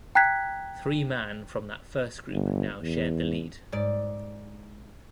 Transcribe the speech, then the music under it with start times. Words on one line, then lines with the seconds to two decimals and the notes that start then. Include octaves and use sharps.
Three man from that first group now shared the lead.
0.15 G5 A#5 F#6 G#6 B6
2.31 G1
2.82 E2
3.72 G#2 D5